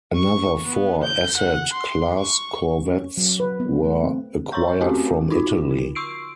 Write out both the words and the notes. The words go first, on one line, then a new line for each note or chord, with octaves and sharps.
Another four Assad class corvettes were acquired from Italy.
C#6
B3
G6
F#5
C6
C#6
C#4
F#3
B4
B3
A3
C4
C#5 A#5 C6 C#6 G6
A3 C4 C#4 F#4 G4
D#4 F4 F#4
D3
C6 C#6 E6 C7 D7